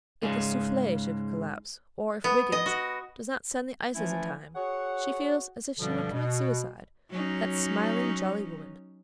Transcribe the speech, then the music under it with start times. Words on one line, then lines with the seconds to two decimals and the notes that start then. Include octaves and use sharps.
If the SOUFFLE should collapse, or if Wiggins does not send the ices in time--she feels as if she would commit suicide--that smiling, jolly woman!
0.23 G#2 C#3 G#3
2.24 B3
2.52 D#5
2.66 F#4
3.94 E3 F3 A3 C#4 E4
4.55 F#4 G#4 C#5 F#5
5.78 G2 B2 D3 F3 G3
6.12 B2
7.10 F#3 C#4 D#4